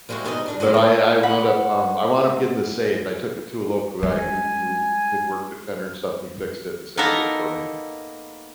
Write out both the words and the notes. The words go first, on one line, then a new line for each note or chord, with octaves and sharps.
eh but I I wound up um, I wound up getting this saved. I took it to a local guy who who who had worked at Fender and stuff, and he fixed it and saved it for me.
F3 G3 G#3 E4 F#4
F2 G#2 B2 D4 D#4 D#5
C#3 D4 A#4
F#3 G#3 A#3 C#4 F4
C4 A4
F#5 B5
G3 G#3 G#5
A#3 B3 D#4 A4 A#4 A#5